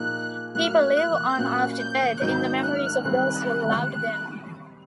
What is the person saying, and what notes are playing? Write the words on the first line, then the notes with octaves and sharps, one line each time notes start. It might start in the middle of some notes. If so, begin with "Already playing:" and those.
People live on after death in the memories of those who loved them.
Already playing: A#2 F3 A#3 D#4 G#4 F#6
A2 F#3 A#3 F#6
F6
F#6
F#6
G6
A#2 F#3 A#3 C#4 F#6
G6
F#6
G#2 D#3 F#3 A#3 D#4 G6
F#6
F6
F#6
D#3 G3 C4 F#6